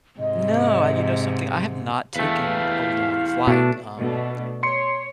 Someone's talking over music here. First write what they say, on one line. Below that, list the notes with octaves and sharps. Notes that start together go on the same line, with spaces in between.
No, I you know something? I have not taken a long flight, um,
G#2 C3 D#5
E2 A3 E4 G4 B4 F5
B2 A3 D4
B2 A3 D4
C#5 C6 C#7